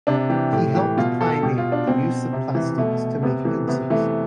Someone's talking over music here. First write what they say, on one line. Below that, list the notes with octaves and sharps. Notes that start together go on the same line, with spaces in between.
He helped pioneer the use of plastics to make pencils.
C3 D4
E3 G4
A2 G4
E3 G4
B2 F4
A4
B2 G4
F4
D4
B2 C4
C3
E3
B2 A3
C3 B3
E3 A3
C3 B3
E3 A3